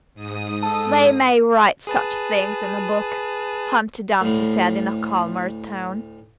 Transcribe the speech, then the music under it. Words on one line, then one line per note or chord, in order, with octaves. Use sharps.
They may write such things in a BOOK,' Humpty Dumpty said in a calmer tone.
G#2 D#6
A4
G#4 B4 A5
D2 A2